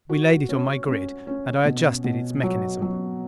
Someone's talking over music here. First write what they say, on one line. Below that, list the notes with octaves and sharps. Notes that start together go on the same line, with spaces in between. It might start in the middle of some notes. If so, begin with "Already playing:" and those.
We laid it on my grid, and I adjusted its mechanism.
F#4
C#4
C#4
C#4
B2
B2
F#3
F#3